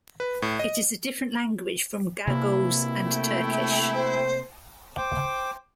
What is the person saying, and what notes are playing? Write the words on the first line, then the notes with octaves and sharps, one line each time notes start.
It is a different language from Gagauz and Turkish.
B4
A2
D#5
C3 A#3 E4
A3 G5
C5
C5 G5 D6